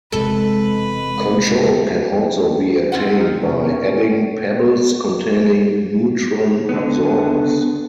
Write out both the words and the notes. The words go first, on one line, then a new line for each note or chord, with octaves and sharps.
Control can also be attained by adding pebbles containing neutron absorbers.
E1 C3 G#3 A4 B4
C4 F4 F#5
D#4 G5 F6
C3 A#3 C#4
B2 C#4
D3 B3